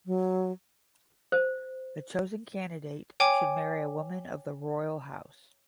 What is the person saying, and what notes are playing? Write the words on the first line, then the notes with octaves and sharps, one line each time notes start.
The chosen candidate should marry a woman of the royal house.
F#3
C5
C#5 G5 G#5 D6